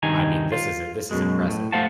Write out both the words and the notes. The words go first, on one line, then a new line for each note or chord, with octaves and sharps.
I mean, this is i this is impressive.
G2 C3 D#3 D#4 G#5 A#5
F4
F#2 B2 G#3
A2
A3 C5 F5 F#5 A5